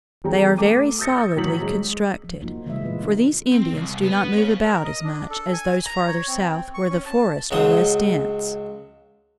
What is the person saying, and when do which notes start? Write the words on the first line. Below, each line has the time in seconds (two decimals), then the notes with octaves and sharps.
They are very solidly constructed, for these Indians do not move about as much as those farther south where the forests are less dense.
0.24 E2 G3 G#4 G5 A#5
0.58 A3 D6 D#7
0.99 D#6 E6 G6 A6 A#6 C#7
1.36 A2 D#3 F#3 B6 F#7
1.62 G#3
2.24 F3
2.42 F3 F#3 A#3 D#4 F4 F#4
2.66 C#3 E3 G3 G#3 D#5 E5
2.83 A#2 B3 F4 B4
3.03 C#4 D#4 F#4 A#4
3.51 C4
3.73 C2
4.03 B3
4.37 C#5 F5
4.64 A#4
4.84 D#5
5.05 D4
5.30 A4
5.53 G#5
5.86 A#5
6.08 C#5
6.28 C4
6.74 C#6
6.90 C#4
7.06 A5
7.51 C#2 C#3 F#3 C5 D#6